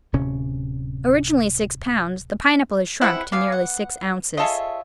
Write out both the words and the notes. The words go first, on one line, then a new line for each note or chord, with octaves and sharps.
Originally six pounds, the Pineapple has shrunk to nearly six ounces.
D1 C3 C#4
G#3 C4 E4 B4 F#5
B3 D5 F5 G#5
F#5
F4 G#4 A4 C#5 D#5 E5